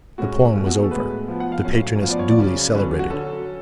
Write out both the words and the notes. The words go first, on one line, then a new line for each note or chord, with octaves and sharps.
The poem was over, the patroness duly celebrated.
A2 G#3 C#4 F#4
B2 A3 C#4
F#4
G#4
A4
A2 G#3 B3 B4
F3 B3
F#5
F5
A2 F#3 C#4
F3 B3 F5
D5
C#5
D5
C#3 F#3 C#4
D3 F#3 C#4 B4
F#4
D3 F#3 C#4 A4